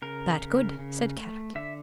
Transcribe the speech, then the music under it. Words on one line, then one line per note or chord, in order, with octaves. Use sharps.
"That good," said Kadok.
C#3 A#4
C#3
C#3
A3
D3 E5